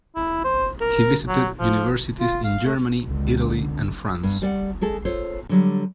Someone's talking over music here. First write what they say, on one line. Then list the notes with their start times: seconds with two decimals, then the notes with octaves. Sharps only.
He visited universities in Germany, Italy, and France.
0.16 E4
0.44 C5
0.81 A#4
1.28 F#3
1.60 F3
2.20 F4
2.44 F5
2.64 A3
3.07 C#2 D3
4.23 G2 B3
4.42 G3 D5 F#5
4.81 G#3 G#4 A4 A5
5.05 F4 A4 C5 C#5
5.49 D3 F#3 G3